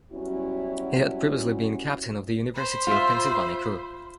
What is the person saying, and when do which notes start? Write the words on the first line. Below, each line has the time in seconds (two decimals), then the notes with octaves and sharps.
He had previously been captain of the University of Pennsylvania crew.
0.12 F#3 G3 B3 C#4 E4 F#4
2.53 C5 B5
2.87 F4 E5